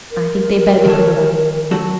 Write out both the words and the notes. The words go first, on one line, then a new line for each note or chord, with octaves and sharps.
I think they'd better be quick about it.'
A#4
D#3 A4 C#5
F#3 F#4 A4